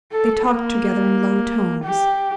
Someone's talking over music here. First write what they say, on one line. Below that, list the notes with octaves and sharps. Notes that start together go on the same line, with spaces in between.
They talked together in low tones.
A4
A#3
G4